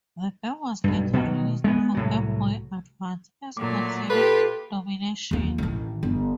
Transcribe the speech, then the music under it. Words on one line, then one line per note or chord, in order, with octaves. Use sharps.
The game was later released for Game Boy Advance as Godzilla: Domination!
B1 G2
B2 D#3 F#3
G#3 B3
C2 A2 F#3
A#2 F#3 A3 D6
F4 G4 A4 B4
D#2 F4
A1 D#3
G1